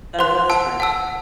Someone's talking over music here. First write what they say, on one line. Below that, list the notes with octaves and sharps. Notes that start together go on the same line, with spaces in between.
Tha that's great.
C5 F#5 C6 F#6
F#5 A5 E6
F#5 A5 E6